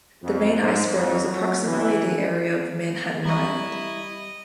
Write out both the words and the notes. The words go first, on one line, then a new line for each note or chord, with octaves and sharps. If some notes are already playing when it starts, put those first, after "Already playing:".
The main iceberg was approximately the area of Manhattan Island.
F2
G#2
F2
F#3
E3
G3 E4 D#5 A#5 C#6